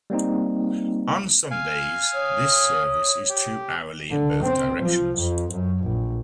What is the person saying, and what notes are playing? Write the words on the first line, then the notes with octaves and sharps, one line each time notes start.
On Sundays, this service is two hourly in both directions.
G3 A#3 C4 D#4
F5 G#5
C#5 D#6
G4
D3
C4
F3
F2
F#2
A#1